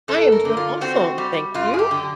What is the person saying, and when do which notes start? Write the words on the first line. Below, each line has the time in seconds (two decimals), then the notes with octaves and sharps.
I am doing awesome, thank you.
0.08 F#2 A4
0.32 A#4
0.45 D3
0.57 F4
0.81 C4 F#4
1.18 G3
1.54 F#2 F4
1.74 G#4
1.79 G4
1.91 D3